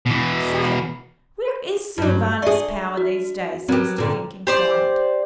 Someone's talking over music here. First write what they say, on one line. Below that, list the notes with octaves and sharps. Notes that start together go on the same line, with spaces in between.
"Say, where is Sylvanus Power these days?" Mr. Fink enquired.
B2 E3
G2 F#3
D4 G#4 D5 E5 C#6
F#4
F#3 C4 G4 A#4 B4
A#2 D3 B4 G5
G4 C5 D5